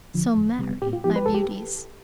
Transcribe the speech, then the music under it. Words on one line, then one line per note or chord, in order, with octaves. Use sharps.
So, marry, my beauties.
D3 F3
F2
C3 G3 B3
A2 G4
F4
F3 B3 E4 G4
B4
C2 A4
G4